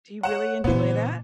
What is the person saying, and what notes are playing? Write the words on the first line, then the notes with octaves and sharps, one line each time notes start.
Do you really enjoy that?
C#5 F#5 E7
A#2 C#3 E3 B3 C5